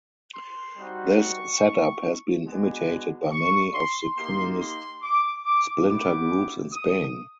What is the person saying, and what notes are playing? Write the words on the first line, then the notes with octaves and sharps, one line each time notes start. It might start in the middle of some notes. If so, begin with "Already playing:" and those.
This set-up has been imitated by many of the communist splinter groups in Spain.
C6
G3 C4 D#4 F#4
C#6
G#3 B3 D4 F#4
C#6
C6
A#3 D#4 G4 C6
C6
D6
D6
B3 E4 G4 D6
D#6